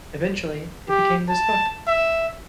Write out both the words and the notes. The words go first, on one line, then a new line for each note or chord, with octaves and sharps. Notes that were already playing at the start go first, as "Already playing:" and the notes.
Eventually it became this book.
G4
A5
E5